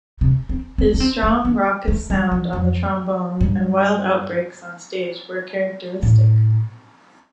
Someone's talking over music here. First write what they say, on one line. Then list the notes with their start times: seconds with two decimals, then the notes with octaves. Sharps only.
His strong, raucous sound on the trombone and wild outbreaks on stage were characteristic.
0.21 C3
0.49 C4
0.78 C4
0.94 D4
1.00 C4
1.23 A3
1.45 D4
1.88 A3
2.10 G3
2.32 F3
2.53 F2
3.41 G2
6.03 A2